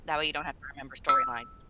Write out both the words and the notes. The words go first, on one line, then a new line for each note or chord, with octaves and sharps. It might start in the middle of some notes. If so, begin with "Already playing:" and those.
that way you don't have to remember storylines.
E6